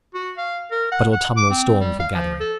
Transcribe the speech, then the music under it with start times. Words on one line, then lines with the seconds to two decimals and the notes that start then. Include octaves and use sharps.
But autumnal storms were gathering.
0.14 F#4
0.37 F5
0.71 A#4
0.92 F#5
1.12 F#5
1.37 D6
1.50 C4
1.80 G3
2.00 F5
2.14 F3
2.40 A4